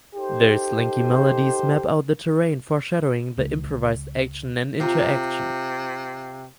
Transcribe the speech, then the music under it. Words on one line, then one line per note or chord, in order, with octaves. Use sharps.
The slinky melodies map out the terrain foreshadowing the improvised action and interaction.
D#4 G4 A4 C5
C#2
C3 F4 A#5